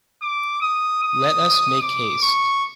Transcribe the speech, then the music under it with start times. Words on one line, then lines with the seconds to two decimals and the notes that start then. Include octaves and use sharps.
Let us make haste.
0.22 D6
0.61 D#6
1.02 D#6
1.81 D6
2.22 C#6